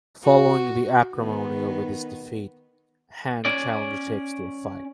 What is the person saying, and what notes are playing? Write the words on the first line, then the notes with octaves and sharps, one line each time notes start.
Following the acrimony over this defeat Hann challenged Hicks to a fight.
F#4
D#3 B3
C#4 D5